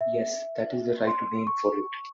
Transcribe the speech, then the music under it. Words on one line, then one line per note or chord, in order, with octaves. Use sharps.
Yes, that is the right name for it.
E5
C6
C#6